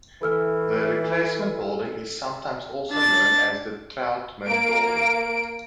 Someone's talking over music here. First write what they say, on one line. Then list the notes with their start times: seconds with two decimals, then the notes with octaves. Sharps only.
The replacement building is sometimes also known as the Trautman Building.
0.22 E3 A4 E6 F6
2.91 D4 A6
4.46 A#3 D7